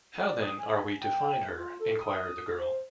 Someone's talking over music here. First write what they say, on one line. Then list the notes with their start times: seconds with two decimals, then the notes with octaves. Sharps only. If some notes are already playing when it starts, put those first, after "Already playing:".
How, then, are we to find her? enquired the girl.
0.23 D5
0.42 D#6
0.59 G#5
1.01 G5
1.54 F4
1.80 A4
2.01 D#6
2.54 C5